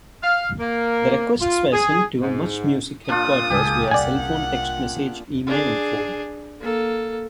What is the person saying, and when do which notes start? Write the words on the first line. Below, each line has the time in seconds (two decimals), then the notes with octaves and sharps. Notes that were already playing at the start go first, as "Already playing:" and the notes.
The requests were sent to MuchMusic headquarters via cellphone text message, email, and phone.
0.23 F5
0.60 A#3
1.41 F4
1.73 G#4
2.21 G#2
3.09 A#2 D4 F4 D#6
3.50 C#2 G#2 G4 G#4
3.91 C2 D5 F#5 G#5
5.47 D4 G#4
6.60 A#3 A4